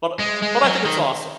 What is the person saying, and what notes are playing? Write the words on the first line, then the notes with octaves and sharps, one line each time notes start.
But but I think it's awesome.
G#3
G#3
F#3
D#3